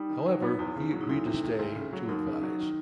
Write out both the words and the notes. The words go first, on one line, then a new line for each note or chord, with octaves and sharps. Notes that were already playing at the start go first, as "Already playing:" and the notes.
However, he agreed to stay to advise.
Already playing: G3 D#4
D#3
F#3
B3
E2 E4
C#3
F#3
D#4
D2 E4
C3
D#3
D2
C#3
F#3
D#2 D#4
C#3
F#3
D#3